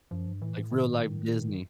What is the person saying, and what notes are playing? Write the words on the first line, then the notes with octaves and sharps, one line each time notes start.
Like real life Disney.
F#2 F3
G2
A2 E3
A2
D#3
A#2